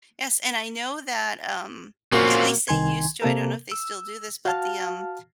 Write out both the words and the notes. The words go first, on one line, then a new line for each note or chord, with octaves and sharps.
Yes, and I know that, um, at least they used to, I don't know if they still do this, but the, um
A#2 A#3 C4 C#4 F4 F#4
C2 D#3 G#5 C6 G#6
C3 A#3 A4 A#4
E6
F#4 F5 A5 F6